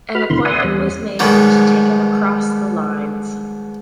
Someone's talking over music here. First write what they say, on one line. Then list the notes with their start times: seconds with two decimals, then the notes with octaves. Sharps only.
An appointment was made to take him across the lines.
0.15 F#4 B4 B5 F6
0.30 D#2 B2 D3 E3 B5 C6
0.45 D5 E5 F#5 G#5 C6 D#6
0.64 E2 G3
1.19 G#2 B2 D#3 F#3 G3